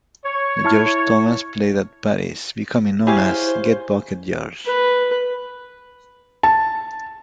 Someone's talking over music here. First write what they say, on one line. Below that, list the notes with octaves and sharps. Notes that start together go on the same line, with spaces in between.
George Thomas played at parties, becoming known as "Gut Bucket George".
C#5
E4 A5 F6
E4 G4 G#4 C5 C#5 F5 G#5
B4
A5